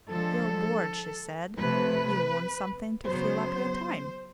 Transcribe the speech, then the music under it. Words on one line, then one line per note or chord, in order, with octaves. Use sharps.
You're bored, she said, you want something to fill up your time.
D3 F3 G#3 A4
C3 F3 A3 B4
C#3 F#3 B3 C5